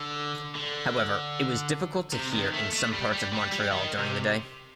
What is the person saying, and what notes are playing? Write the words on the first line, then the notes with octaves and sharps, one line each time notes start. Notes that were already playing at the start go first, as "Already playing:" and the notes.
However, it was difficult to hear in some parts of Montreal during the day.
Already playing: D3
D3
C3
D#3
A3
A3
G3
G3
G3
G3
D#3
C3